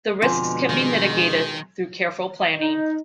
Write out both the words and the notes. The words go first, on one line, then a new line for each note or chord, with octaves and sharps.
The risks can be mitigated through careful planning.
F2 B2 D3 G#3 G#5 C6
D#3
D#4